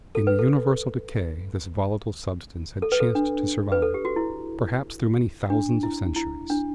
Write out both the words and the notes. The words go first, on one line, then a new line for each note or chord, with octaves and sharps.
In the universal decay this volatile substance had chanced to survive, perhaps through many thousands of centuries.
A4
B4
A4
A4
B4
A4
D4
B4
A4
G4
F#4
E4
D4
E4
E4
D4